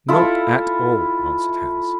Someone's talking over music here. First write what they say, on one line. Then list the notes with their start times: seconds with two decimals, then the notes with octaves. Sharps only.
'Not at all!' answered Hans.
0.08 E4 F4 A4